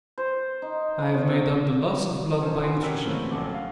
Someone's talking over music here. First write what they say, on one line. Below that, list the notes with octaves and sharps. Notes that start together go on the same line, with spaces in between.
I have made up the loss of blood by nutrition.
C5
D#4
D4
F#4
C3
C#4 D#4 A4 A#4 C5
E4 F#4 G#5 C6
C#4 G4 A#4 E6 B6
C#3 E3 F#3 A3 A#3 C4
A#1 C#4 A4 F#5 D6
F5